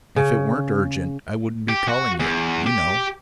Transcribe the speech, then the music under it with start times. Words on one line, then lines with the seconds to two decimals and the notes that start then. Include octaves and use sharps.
If it weren't urgent, I wouldn't be calling you, you know.
0.16 C#3
1.69 G4
1.88 F#4
2.20 E2
2.66 G4